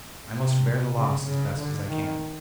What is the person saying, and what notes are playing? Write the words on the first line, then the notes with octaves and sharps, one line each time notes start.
I must bear the loss as best as I can.'
C3
C#3
C#3
D3
D#3